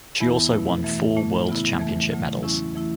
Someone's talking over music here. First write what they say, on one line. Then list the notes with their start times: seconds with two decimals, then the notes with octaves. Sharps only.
She also won four World Championship medals.
0.20 E2 E3 B3 E4
0.53 B2 A3 E4
0.84 F#2 E3 A3
1.16 A2 A3 E4
1.48 F#2 C#3 E3 B3 E4
1.79 E2 E3 A3
2.12 C#3 F#3 A3
2.43 E2 E3 C#4 E4
2.75 E3 A3 E4